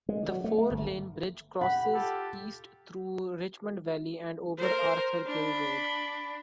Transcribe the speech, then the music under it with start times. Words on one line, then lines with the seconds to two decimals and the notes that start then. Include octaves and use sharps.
The four-lane bridge crosses east through Richmond Valley and over Arthur Kill Road.
0.09 G#3
0.28 F#3
0.44 A3
0.58 A3
0.71 G1
1.61 G4 F#5 B5
1.94 F4 G4 A4
4.57 A#4 C5
5.26 D4 B5